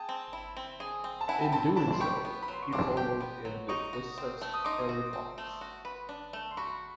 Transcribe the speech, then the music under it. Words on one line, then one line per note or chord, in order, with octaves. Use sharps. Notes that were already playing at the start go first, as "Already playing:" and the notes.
In doing so, he followed in the footsteps of Terry Fox.
Already playing: G#4 G5 A5
C4
E4
C4
G#4
C4
A5
E4 F#5 G#5
G5 A5
C4 A5 B5
D4 A5 B5
C6
G4 B5 C#6
B3
B5
F#3 C6
C#6
D4 C6 D6
G4
B3
F#3
D#4 C#6 D#6
F#4
C4
A3
D#6
D#4 C6 D6
F#4
C4
A3
F#4
B4
D4
A3
C6
F#4 B5 C#6